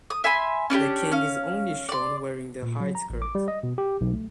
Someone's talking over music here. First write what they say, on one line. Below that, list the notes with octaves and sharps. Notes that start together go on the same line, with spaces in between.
The king is only shown wearing the hide skirt.
D#6
E5 G#5 B5 C6
C#4 D4 E4 G4
C#4 F5
D5 C6
A#2
F#3
A#5
A1
D6
G3
D#5
B2
G4
B1
A3